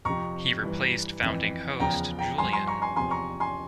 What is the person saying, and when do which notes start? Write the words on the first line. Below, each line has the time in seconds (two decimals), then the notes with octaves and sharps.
He replaced founding host Julian.
0.05 F2 C3 F3 A#5 C#6
0.63 G2 E3
1.22 F2 E3
1.80 E2 C#3 F3 G5 A#5
2.18 G5 A#5
2.38 G2 F3 G#5 C6
2.53 G#5 C6
2.67 A#5 C#6
2.82 G#5 C6
2.96 E2 C3 F3 G#5 C6
3.11 A#5 C#6
3.40 G#5 C6